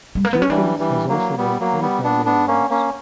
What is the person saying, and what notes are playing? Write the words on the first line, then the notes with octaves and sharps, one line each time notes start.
Jerkins has also won four Grammy Awards.
G3
A#3
B3
C#4
E3 G3 D4
E3 G3
F#3 A#3
G3 B3
F#3 A#3
G3 B3
B3 D4
B3 D4
A#3 C#4
A#3 C#4